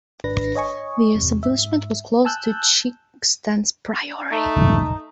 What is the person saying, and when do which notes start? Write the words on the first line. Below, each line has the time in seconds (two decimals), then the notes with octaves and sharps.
The establishment was close to Chicksands Priory.
0.24 G#1 D4 B4 A#6
0.55 C#5 D#5 G#5 C#6
1.15 E2 C3
1.43 G#2 E5
2.25 G#5 A5 E6 F#6 G6
4.31 A3 D#4